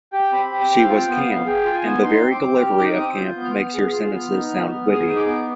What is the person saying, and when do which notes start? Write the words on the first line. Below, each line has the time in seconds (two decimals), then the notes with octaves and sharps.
She was camp, and the very delivery of camp makes your sentences sound witty.
0.12 G4 G5
0.32 C4 B5
0.51 G4
0.61 G5
0.70 C4
0.78 F5
0.89 F4 G5
1.08 B3
1.17 F5
1.26 B3
1.45 G#4 G5
1.65 F4
1.74 G#5
1.83 B3
2.03 D#4 C6
2.22 C4
2.32 D6
2.41 C4
2.60 G4 F6
2.79 D#4 D6
2.97 C4 D#6
3.16 F4 G6
3.36 B3
3.45 F6
3.55 B3
3.74 G#4
3.92 F4
4.12 B3
4.31 D#4
4.50 B3
4.68 B3
4.87 G#4 D#6
5.07 D#4
5.16 D6
5.26 B3